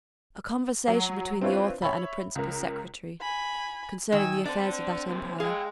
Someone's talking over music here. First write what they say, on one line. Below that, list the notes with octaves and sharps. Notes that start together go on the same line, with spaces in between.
A conversation between the author and a principal secretary, concerning the affairs of that empire.
F#3
C4 D4 E4 F4 B4 C#5
C#5 E5 B5
C#2 A#4
G#5 B5
D#3 G#5 E6
C4 D4 A4 D5
D#2 C3
G#3 G#4 F5 G5